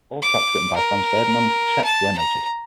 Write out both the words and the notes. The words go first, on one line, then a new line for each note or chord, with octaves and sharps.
All tracks written by Franz Ferdinand, except where noted.
D6
A#4
A5
A#5